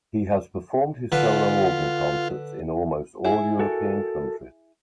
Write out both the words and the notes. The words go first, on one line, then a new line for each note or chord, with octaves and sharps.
He has performed his solo organ concerts in almost all European countries.
D3 F4 B4
E4 G#4
F#4 A4 A#4